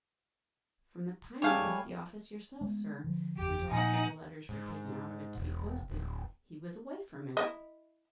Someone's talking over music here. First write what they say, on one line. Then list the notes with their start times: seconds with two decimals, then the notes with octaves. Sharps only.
"From the time you left the office yourself, sir, until after the letters were taken out of it to be posted, he was away from it."
1.42 G3 A3 C#5 F5 G#5
2.61 G#3 A3 B3
3.04 D3 F3
3.37 F#1 E2 G4
3.71 A#2 F3 D#4 F#5 G#5
4.49 G#2
5.38 E1
5.90 D1
7.37 E4 D#5